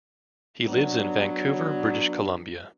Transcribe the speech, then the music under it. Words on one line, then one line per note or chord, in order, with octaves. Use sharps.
He lives in Vancouver, British Columbia.
F#3 B3 D4